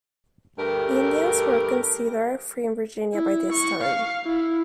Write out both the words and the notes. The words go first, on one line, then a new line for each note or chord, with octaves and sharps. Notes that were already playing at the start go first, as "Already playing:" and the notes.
Indians were considered free in Virginia by this time.
G2 A3 G4 A#4
E4
C#6
F5
E4